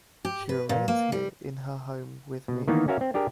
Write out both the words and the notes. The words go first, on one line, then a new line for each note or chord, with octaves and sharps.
She remains here, in her home with me.
G4
B4
A#2
A#3
G3
B2
D#3 E3 A#3 B3 D#4
C#4 F#4 A#4 E5 F5
C4
D4 G4 G#4 A#4